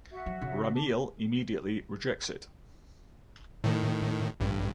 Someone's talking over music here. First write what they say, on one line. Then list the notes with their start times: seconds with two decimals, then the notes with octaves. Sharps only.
Remiel immediately rejects it.
0.10 F#4 E5
0.26 F#3
0.41 C#3
0.74 A5 D6
3.64 A2 D#3
4.40 A1 G2